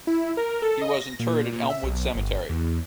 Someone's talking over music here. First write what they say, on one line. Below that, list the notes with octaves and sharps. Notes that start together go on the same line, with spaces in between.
He was interred at Elmwood Cemetery.
E4
A#4
A4
D#5
A#6
A#2
A#2
E5
B1
G1
E2